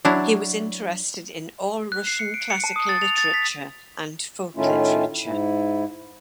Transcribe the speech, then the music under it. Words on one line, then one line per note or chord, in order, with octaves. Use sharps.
He was interested in all Russian classical literature and folk literature.
F#3 D4 E4
F#6
C7
C#7
D7
C#7
A5
D#6
A6
F7
A6
B6
A2 D#3 A3 C#4 E4 F4
G#2 E4